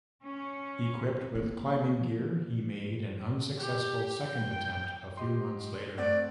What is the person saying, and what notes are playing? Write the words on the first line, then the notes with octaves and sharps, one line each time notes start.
Equipped with climbing gear, he made an unsuccessful second attempt a few months later.
C#4
C4
A#3
F3
G4
G5
G4 D#5 C6
A3 C4 D5 F#5